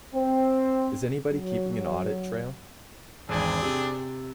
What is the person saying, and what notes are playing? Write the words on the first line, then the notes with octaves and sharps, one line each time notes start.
Is anybody keeping an audit trail?
C4
F#3
G#1 E2 C4 D4 G#4
C3